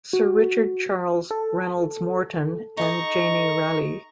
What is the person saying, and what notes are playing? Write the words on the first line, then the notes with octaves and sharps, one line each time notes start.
Sir Richard Charles Reynolds-Moreton and Janie Ralli.
F#4
A4
D#4 D#5 A#5 C#6